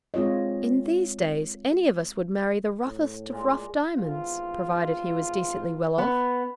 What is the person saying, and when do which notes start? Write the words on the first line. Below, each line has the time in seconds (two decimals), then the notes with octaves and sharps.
In these days any of us would marry the roughest of rough diamonds, provided he was decently well off.
0.14 G#3 C4 F4 C#5 D#5
2.86 A2
3.32 A#2 G#3 D5
3.96 G#1 E2 F4
5.98 B3